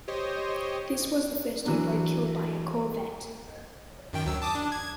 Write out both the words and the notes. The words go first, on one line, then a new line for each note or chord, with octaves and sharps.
This was the first U-boat kill by a corvette.
G4 C5 C#5 D#5
E3 F#3 D4
F#2 D#3 G5
D2 F#3 E6
A5 D6 D#6
D4
G#6